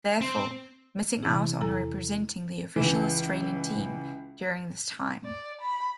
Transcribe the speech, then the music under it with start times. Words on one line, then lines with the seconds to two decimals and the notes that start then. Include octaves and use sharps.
Therefore, missing out on representing the official Australian team during this time.
0.21 C4
1.23 C3 E3 C4 E4 G#4
1.61 E2 E4 A4 A#5
2.76 C#2 E3
5.25 D5
5.61 B5